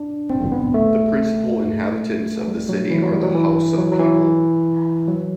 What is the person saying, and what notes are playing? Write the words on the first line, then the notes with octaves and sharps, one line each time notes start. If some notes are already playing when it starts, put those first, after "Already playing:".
The principal inhabitants of the city are the Hausa people.
Already playing: D4
C4
B3
A3
G3
F#3
E3
F#3
G3
F#3
E3
F#3
F#3
E3
F#3